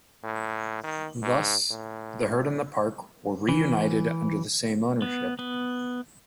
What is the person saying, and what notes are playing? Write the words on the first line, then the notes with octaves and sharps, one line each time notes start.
Thus, the herd and the park were reunited under the same ownership.
A2
D#3
G#2
A2
E3
B3
B3